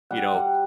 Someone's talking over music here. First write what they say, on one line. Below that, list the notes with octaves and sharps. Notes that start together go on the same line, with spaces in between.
you know
G3 F#5
G3